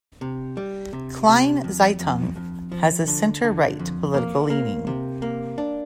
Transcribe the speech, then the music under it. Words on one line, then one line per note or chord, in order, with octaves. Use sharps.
"Kleine Zeitung" has a center-right political leaning.
C3
G3
C3
C3
F2
F2
F2
F3
D3
D3
F2
A#3
A#3
C3
A#3
D4